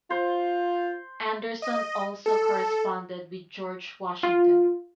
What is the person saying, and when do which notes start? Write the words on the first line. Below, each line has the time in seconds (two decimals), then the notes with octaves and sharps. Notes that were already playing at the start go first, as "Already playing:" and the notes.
Anderson also corresponded with George Washington.
0.10 F4 C5
1.62 D#5
2.26 A4
4.23 F4